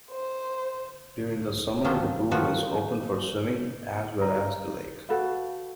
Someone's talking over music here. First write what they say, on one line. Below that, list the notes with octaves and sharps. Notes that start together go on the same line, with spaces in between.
During the summer the pool is open for swimming, as well as the lake.
C5
D#3 F3 F#3 A3 D4 C5
D#3 F3 F#4
A#4
F#4 A4 B4 F5